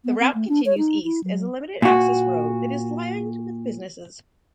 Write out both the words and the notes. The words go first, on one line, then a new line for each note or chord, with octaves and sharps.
The route continues east as a limited access road that is lined with businesses.
B3
C4
A3
D4
C#5
D#4
E4
F#3
A#2 F#4